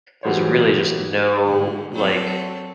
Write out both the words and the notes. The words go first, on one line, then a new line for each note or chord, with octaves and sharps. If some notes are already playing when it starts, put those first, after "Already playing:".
there's really just no, like
E3 F#3 G3 B3 C5 C#5
G#2 D3
F#3 C4 A4